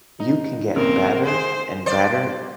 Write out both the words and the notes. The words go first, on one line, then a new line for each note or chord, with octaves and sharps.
You can get better and better,
D#4
A#1 C#3 C4 A#4
G#4 C5
C5 D5